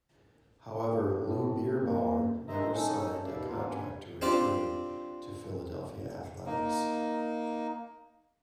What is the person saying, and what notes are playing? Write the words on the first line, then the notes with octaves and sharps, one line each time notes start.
However Lou Bierbauer never signed a contract to return to Philadelphia Athletics.
A2
A#3
G2 D#3 C5 D#5 E5 A#5
C#4 D#4 A4
D#2 B2 G3 D5 E5 F5
A#3 B3 D4 F4 F5
G2 G3 G#5
C4 D4 F4 G4 C5 D5
A#3 D#4